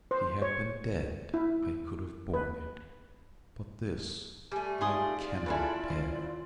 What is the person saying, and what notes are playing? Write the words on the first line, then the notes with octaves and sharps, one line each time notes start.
'If he had been dead I could have borne it, but this I cannot bear!'
C5
C#5
E4
B4
G3 A3 G#5
D#4 F4 G4 G#4 D5 C6 D#6
C#4 E4 G#4 A4 B4
D#3 C5